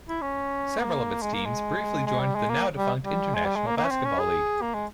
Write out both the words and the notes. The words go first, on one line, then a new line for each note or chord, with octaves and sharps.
Several of its teams briefly joined the now-defunct International Basketball League.
E4
C#4
A#3
G#3
A#3
G#3
G#3
G3
G#3
A#3
G3
G3
G#3
G3
G#3
A#3
A#3
C#4
C4
C#4
G#4
A#3
G#3